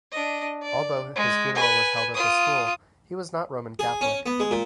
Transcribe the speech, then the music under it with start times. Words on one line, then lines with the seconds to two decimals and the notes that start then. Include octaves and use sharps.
Although his funeral was held at the school, he was not Roman Catholic.
0.12 D4 D#5
0.62 D5
1.16 G#3
1.55 B4 G#5
2.14 F4 D#6
3.79 G#4
4.01 C#4
4.26 B3
4.40 G#3
4.51 A#2